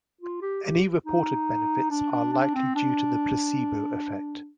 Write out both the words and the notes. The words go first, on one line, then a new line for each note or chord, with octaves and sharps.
Any reported benefits are likely due to the placebo effect.
F4
G4
G4
D#4
D4
D4
D4
C4
D4